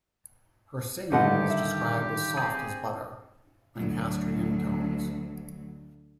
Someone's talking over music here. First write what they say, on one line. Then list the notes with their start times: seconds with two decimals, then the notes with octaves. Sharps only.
Her singing was described as soft as butter Lancastrian tones.
1.12 G2 D3 D#3 G4 B4 D#5 F#5
1.50 E5
2.37 C4 G#4
3.75 D2 F#3